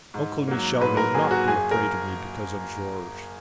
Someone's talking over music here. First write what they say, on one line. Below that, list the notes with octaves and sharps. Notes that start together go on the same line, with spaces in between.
Uncle Michel need not be afraid of me, because of George.'
G#2
F#3 A#3
G#2 B4
A#4
F#3 A#3 G#4
F#4
F#1 G#4
A#4